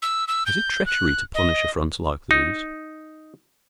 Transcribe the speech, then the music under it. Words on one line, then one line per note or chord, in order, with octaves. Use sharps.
Is it treachery to punish affronts like these?
E6
E6
G6
F#6
D#5
D#4